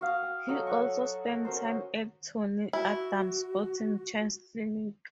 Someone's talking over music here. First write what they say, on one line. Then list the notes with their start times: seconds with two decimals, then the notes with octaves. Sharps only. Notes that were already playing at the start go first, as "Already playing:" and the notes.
He also spent time at Tony Adams' Sporting Chance Clinic.
0.01 F#4 F5 D#6
0.23 G5
0.48 F#3 A4 D#5 G5
0.67 A4 F#5 C#6
1.45 C#4 F#4 A#4 C5
2.73 E4 F#4